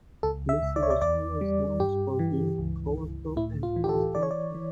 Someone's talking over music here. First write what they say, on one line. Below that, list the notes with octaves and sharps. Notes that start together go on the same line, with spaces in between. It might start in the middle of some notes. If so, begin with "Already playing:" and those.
Missy was always known for being colorful and fast talking.
C#2 A4
E5
C#2
D5
C#5
D5
E2 D5
G3
G2 G4
E3
C#2
C#2
A2 E4
F4
E3
G4
A4
E3 D5
C#5
D5
E3